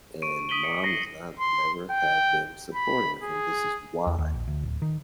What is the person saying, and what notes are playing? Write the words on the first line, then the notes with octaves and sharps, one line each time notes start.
and mom has not never have been supportive. And this is why.
C#6 D7 D#7
D#6 B6 D#7 F#7 G7
B6 C#7
A#6 C7 D7
C6
G5
B5
G#4
E2
D#2
A#1
D2
D1
D#3